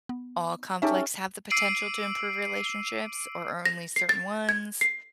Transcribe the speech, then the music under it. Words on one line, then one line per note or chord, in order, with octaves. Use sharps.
all conflicts have the potential to improve relationships or only certain ones?
B3
C#4 D#4 G4 A4 E5
D6 E6 C7 D7 D#7 F#7
A#6
C7
A6
G#6
C7